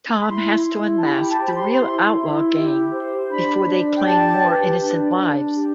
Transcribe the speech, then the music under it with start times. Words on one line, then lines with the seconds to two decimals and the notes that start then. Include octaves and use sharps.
Tom has to unmask the real outlaw gang before they claim more innocent lives.
0.20 B5
0.29 E4 C6
0.66 E4
0.97 A5
1.04 G4 B5
1.29 A5
1.41 C5 B5
1.54 C6
1.80 E4
2.16 E4
2.55 G4
2.92 C5
3.30 D4 B5
3.68 D4
3.96 G5
4.05 G4 A5
4.43 B4
4.81 D4
5.19 D4
5.55 G4